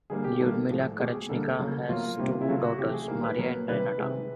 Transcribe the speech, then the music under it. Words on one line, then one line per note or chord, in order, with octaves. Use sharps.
Lyudmila Karachkina has two daughters, Maria and Renata.
D3 G3 A#3 G#4
G4
D#3 G3 A#3 A4
A2 F3 G#3
B2 G#3 G4
G#4
D3 G3 A#3 A4
A4
C#3 F#3 A#3
B2 F#3 A#3 F4
C3 D#3 G3 A#3
E4
C#3 F#3 A3 F4
F#4
C3 E3 A3 G4
G#4
D#3 G3 A#3
B4
B2 F#3 A#3
C3 D#3 G3 B4
C3 D#3 G#3